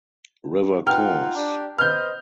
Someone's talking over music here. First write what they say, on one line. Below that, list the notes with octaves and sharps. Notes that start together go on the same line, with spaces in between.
River Course!
D#4 F4 F#5 G5 F6
D4 G4
B3 C5 D#5 F6 G6